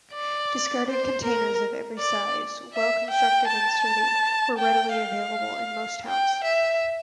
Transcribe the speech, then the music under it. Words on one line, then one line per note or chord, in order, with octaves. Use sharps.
Discarded containers of every size, well-constructed and sturdy, were readily available in most towns.
D5
C5
A#4
D5
E5
G5
A5
G5
F5
G5
E5